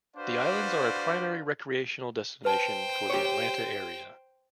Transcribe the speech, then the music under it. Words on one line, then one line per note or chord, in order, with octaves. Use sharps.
The islands are a primary recreational destination for the Atlanta area.
D4 F#4 B4 C5 D5 F5
B4 C5 G5 A5
G4 C#5